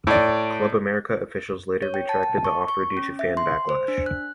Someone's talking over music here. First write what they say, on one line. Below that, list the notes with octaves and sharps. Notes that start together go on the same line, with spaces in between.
Club America officials later retracted the offer due to fan backlash.
A2 D5
C#5
G5
A5
A5
C#6
C#6
C#4
E5
C6
C5
D4
F#6